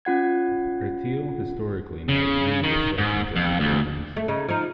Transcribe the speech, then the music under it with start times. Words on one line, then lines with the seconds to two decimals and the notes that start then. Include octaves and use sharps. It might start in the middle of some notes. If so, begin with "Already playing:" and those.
Breteuil historically knows many destructions and re-buildings.
0.05 C#4 F4 F#5 G#6
2.09 C#3
2.63 D#3
2.98 G#2
3.36 F2
3.60 D2
4.16 A3
4.28 C#3 D#4
4.48 F3 D#4